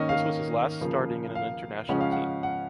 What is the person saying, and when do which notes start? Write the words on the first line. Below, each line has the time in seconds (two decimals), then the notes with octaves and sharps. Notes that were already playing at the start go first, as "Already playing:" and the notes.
This was his last starting in an international team.
Already playing: D#3 A#3 C#4 D#5
0.09 F5
0.81 C#3 F3 A#3
1.35 F5
1.89 C#3 F3 G#3 C#4 F#5
2.01 F5
2.12 F#5
2.43 F#5